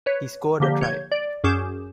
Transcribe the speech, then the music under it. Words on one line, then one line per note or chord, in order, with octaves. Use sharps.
He scored a try.
B4 C#5
D3 F3 A#3 G4
C#5 G6 G#6
D5
F#2 C#4 G#4 D6 G6 E7